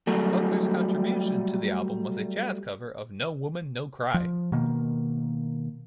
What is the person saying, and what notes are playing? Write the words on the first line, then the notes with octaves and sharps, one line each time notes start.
Butler's contribution to the album was a jazz cover of No Woman No Cry.
F#3 G3 A3
F3
B2 D#3 A#3